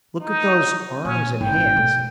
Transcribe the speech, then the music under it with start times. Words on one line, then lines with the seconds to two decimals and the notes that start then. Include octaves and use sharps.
Look at those arms and hands!
0.20 D#4
1.05 A#2 C#4
1.41 G#1 G5
1.76 B2 A3